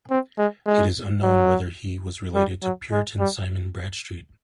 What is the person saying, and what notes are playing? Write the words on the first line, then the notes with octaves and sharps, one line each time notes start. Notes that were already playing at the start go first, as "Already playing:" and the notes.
It is unknown whether he was related to Puritan Simon Bradstreet.
C4
G#3
G#3
F#3
G3
F#3
G#3
G3